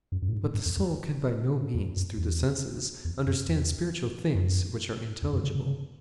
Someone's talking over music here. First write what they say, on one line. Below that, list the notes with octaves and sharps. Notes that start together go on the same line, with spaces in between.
But the soul can by no means, through the senses, understand spiritual things, which are intelligible.
F#2
F#2
A2
G#2
A2
G#2
E2
E2
E2
F#2
E2
E2
F#2
E2
F#2
E2
F#2
C#3
C#3
C#3